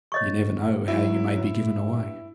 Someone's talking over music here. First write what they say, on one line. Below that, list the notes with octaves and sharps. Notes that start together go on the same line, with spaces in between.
You never know how you may be given away.
C#5 D#5 C#6
F#3 E4
G2